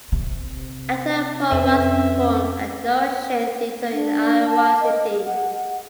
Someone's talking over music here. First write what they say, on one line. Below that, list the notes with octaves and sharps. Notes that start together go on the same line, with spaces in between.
Actor Paul Rust performed at No Shame Theatre in Iowa City.
C3
F2 C4 C#4 B4 E5
D4
A5
D#5
G#4
F#5